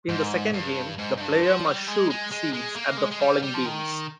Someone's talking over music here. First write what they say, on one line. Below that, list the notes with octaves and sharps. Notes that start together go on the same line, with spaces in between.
In the second game, the player must shoot seeds at the falling beans.
G#2
G2
G#2
G#2
G2
F3
G3
G#3
G#3
G#3
G#3
A#3
G#3
G#3
G3
G3
F3
D#3